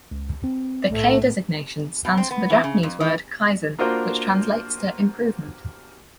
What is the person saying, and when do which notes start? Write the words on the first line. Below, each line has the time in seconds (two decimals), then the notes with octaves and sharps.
The K designation stands for the Japanese word kaizen which translates to "improvement".
0.11 C#2
0.44 C4
0.89 B1 A2 A3
2.05 B2
2.18 C4
2.31 B3
2.50 E3
2.64 C#3
2.83 F2
3.00 E3
3.79 A#3 D4 F4 F#4 A#4 C5